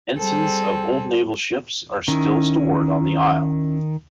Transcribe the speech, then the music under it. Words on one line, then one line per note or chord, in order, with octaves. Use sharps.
Ensigns of old naval ships are still stored on the isle.
G3 C4 G#4 A4
D#3 C#4 E4